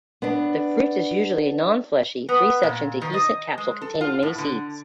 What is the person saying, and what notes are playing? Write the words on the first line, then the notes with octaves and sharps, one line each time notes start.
The fruit is usually a nonfleshy, three-sectioned dehiscent capsule containing many seeds.
B3 D4
B3
A#2
D#3
D#5
G#3
A4
F4
A2
D3